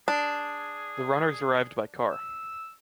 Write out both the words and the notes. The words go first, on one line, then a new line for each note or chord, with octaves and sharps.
The runners arrived by car.
D4 G#4
E6